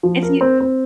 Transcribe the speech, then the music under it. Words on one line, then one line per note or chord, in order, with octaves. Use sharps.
If you
F3
A#4
C4
C4